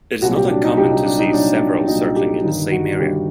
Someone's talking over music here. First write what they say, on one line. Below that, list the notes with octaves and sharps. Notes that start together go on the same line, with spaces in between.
It is not uncommon to see several circling in the same area.
C2 A#2 F#3 F#4
G4
D4
D#4
C2 A#2 F#3 G4
D#4
D4
D#4
C2 A#2 F#3 D4
C2 A#2 F#3 D#4
G4
G1 G2 D#3 D#4
F#4
G1 G2 D#3 G4